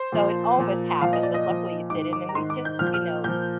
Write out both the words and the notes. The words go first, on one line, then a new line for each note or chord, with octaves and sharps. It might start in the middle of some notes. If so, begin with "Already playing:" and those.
so it almost happened but luckily it didn't and we just, you know
Already playing: C5
A#2 F3
A#2 F3
A#2 F3 F5
D#5
D5
D#5
A#2 F3
G#2 D#3 D6
D6
A#5
G#2 D#3 C6
D6
G6
A#2 F3 F6
G6
F6
A#2 F3 G6